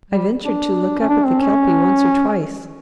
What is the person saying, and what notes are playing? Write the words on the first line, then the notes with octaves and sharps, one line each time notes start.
I ventured to look up at the Kelpie once or twice.
G3
D4
C#4
D4
C4
C#4